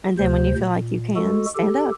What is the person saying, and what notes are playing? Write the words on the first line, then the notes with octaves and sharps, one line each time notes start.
and then, when you feel like you can, stand up
D2 C3 C5
A#2
G#3 F#4 A4
G4 A4